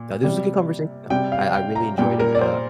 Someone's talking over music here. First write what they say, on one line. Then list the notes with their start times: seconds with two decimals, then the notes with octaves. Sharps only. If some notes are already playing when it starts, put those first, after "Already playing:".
that. No, this was a good conversation though, I I really enjoyed it, uh,
Already playing: A#2
0.23 C3 G3
1.10 C3 G3 G5
1.32 F5
1.54 G5
1.75 A#5
1.98 A#2 G3 G5
2.20 A#4
2.35 D5
2.41 C5